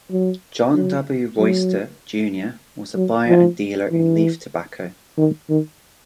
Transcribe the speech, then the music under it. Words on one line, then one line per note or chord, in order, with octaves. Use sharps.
John W. Royster, Junior was a buyer and dealer in leaf tobacco.
F#3
F#3
F#3
F#3
F3
E3
D#3
D#3